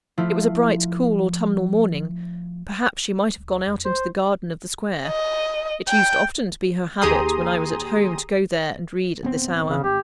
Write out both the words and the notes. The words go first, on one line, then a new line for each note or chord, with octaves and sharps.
It was a bright, cool, autumnal morning; perhaps she might have gone out into the garden of the square: it used often to be her habit, when I was at home, to go there and read at this hour.
F3 A3 E4 F4
C#2
F2
C5
A1
D#5
G5
D#2 G4 G#4 A#5 C6 D#6
D1 B3 C4
C#3
G#1 G4